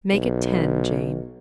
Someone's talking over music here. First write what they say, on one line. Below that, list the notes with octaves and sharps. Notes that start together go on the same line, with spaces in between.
"Make it ten, Jane."
B1